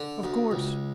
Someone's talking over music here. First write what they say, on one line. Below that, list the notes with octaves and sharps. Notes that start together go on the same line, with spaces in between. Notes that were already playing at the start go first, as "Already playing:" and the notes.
"Of course."
Already playing: D3
D2
C#2